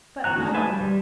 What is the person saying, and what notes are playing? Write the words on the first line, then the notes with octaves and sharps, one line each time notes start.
But lo!
E3 F#4 A#5 F#6
G#3 A3 D#4 F#4
B4 C5 G#5 A5
G3
G3